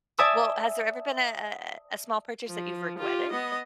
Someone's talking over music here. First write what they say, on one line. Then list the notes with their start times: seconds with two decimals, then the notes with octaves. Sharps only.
Well, has there ever been a a a a small purchase that you've regretted?
0.18 D5 E5 G#5 A5 D#6 E6
2.47 F3
2.98 F4 G4
3.31 B3 D#5